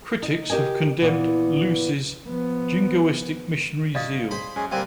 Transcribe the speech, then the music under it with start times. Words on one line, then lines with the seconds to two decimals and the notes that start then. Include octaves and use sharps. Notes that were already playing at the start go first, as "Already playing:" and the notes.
Critics have condemned Luce's jingoistic missionary zeal.
0.23 D#4
0.50 G4 A#4 D#5 G#5
1.02 A#2 E3 B3
2.26 F3 B3
3.95 G2 D5 D#5 F5 D#6
4.31 G#4 C5 B5
4.56 F#2 G#3 C#4 G#4
4.72 G3 A#3 C4 F5 G#5 C6 F#6